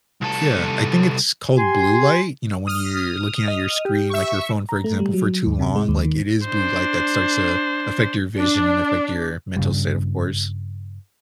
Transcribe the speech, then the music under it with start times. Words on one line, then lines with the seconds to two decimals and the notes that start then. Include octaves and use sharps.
Yeah. I think it's called blue light, you know, when you're looking at your screen, like your phone, for example, for too long, like, it is blue light that starts to affect your vision and affect your mental state, of course.
0.21 C2 A4
1.58 G4 G#5 C6
2.67 D#6 F6
3.48 D#5
3.85 G4
4.10 E5 C#6
4.69 A#5
4.84 A3
4.99 G3
5.13 F#3
5.46 D#2
5.59 C3
5.75 G#3
5.88 D#2
6.05 D#3
6.47 D4 C5
8.39 D4
9.56 G2 C#3 G3